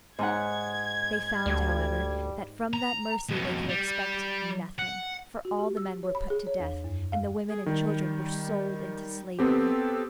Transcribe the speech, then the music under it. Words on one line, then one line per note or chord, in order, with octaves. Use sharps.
They found, however, that from that mercy they could expect nothing, for all the men were put to death, and the women and children were sold into slavery.
G#2 D#4 F#5 G#6
D2 G3
A#5
F2 B2
G3
F#5
F#4
G4
E6
C#5
B5
G#4
C#5
E2
F#2
F5
G#4
D#3 G3
B3 C4 G4 A4